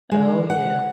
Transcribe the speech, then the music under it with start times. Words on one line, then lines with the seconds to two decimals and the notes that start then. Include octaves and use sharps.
Oh, yeah.
0.11 G#3
0.50 F#5